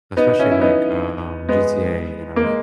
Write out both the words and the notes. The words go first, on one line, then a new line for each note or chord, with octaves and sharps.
especially like, um, GTA, you know,
B3 D#4
D#4
C#4 E4
E4
B3 D#4
G#3 B3
A#3
G#3